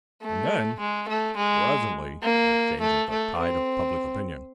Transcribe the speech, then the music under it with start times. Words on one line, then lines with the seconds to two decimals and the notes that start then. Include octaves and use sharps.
And then, presently, it changes the tide of public opinion.
0.22 A3
0.80 G#3
1.08 A3
1.37 G#3
2.23 A#3
2.80 A3
3.10 A3
3.38 C4